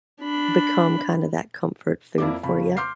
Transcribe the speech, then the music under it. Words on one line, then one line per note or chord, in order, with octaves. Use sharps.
become kinda that comfort food for ya.
D4 B5
F2 A#3 E4 D5 D6
F2 C#3 B5
C6 D6 F6 G6 C7